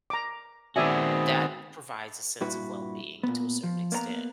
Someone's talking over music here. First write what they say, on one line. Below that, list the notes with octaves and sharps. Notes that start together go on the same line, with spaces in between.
that provides a sense of well-being to a certain extent.
A#5 D6
D#3 B3 C4 F#4 G#4 D5 E5 G#5
G2 A#2 E4 F#4 B4
A#2 B3
F3
A#3 B3 C5 A#5